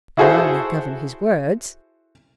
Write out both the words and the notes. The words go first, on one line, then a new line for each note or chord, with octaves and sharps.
"A man may govern his words."
E4 F#4 G#4 A4 C5 E5